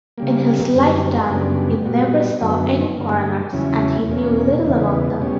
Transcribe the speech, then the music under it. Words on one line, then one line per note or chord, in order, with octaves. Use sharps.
In his lifetime he never saw any foreigners and he knew little about them.
C#3 G3 A#3
F#2 D3 G3
F#2 C#3 G3 B3 D4
A#2 G3 B3 F#4
F#2 D3 F#3 B3
G2 D3 A#3
E2 C#3 F#3 C#4 E4
E2 B2 A#3 C#4
E2 C#3 E3 B3
B2 G3 C#4